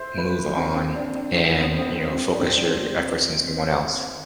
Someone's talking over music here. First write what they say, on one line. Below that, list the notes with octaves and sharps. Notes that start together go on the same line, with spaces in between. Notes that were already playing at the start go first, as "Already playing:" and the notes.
move on and, you know, focus your your efforts on someone else?
Already playing: C5 E5
B4
C4
C4
D4
D4
C4
B3
C4
B3
C4
D4
C4
C4